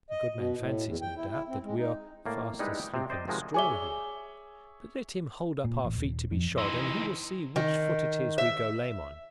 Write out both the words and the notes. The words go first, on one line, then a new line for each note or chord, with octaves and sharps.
The good man fancies, no doubt, that we are fast asleep in the straw here, but let him hold up our feet to be shod and he will see which foot it is we go lame on.
D#5
B2
A2
E2
G5
E4
E4
C4
G#3
D#4
A2 A#3 D5
G3 G#3 D#4 E4 B4
G5
C3 C4
C5 D5 D#5 G5
C3 D#3 F3 G#3 F#4
G#4 C#5 E5 G#5 D6 G7
A#2
A1
D#1
F2
E3 D#4 C6 E6
D#3
E5